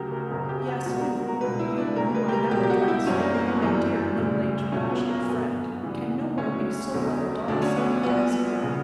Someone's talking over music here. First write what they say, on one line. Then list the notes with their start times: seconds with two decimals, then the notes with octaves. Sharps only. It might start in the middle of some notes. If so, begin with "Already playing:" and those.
Yes, you, you whom I now address, my dear, middle-aged bachelor friend, can nowhere be so well domiciled as here.
Already playing: D2 C#3 F#3 F#4 G4 A#4
0.12 A#4
0.30 F#1 F#2 C#3 F#3 A#4
0.49 G4
0.67 F#4
0.86 C#2 B2 G3 F#4
1.00 A#4
1.27 A#4
1.41 C#2 B2 G3 B4
1.59 E4
1.78 D4
1.96 D2 C#3 G3 A#4
2.15 B4
2.29 G4
2.33 A#4
2.51 C#2 B2 G3 G4
2.63 G4
2.70 F#4
2.88 E4
3.07 F#1 F#2 E3 G3 C#4
3.20 A#3
3.34 A#3
3.48 B3
3.62 G1 F#2 E3 G3
4.17 D2 C#3 G3
4.72 B1 A#2 F#3 C#4
4.91 B3
5.09 A#3
5.27 G1 F#2 D3 B3
5.82 D2 C#3 E3 G3
6.38 D2 D3 F#3 C#4
6.93 F#1 E2 D3 F#3
7.48 D2 D3 F#3 D4
7.62 C#4
7.76 B3
8.03 A#1 A#2 G3 B3
8.63 C#3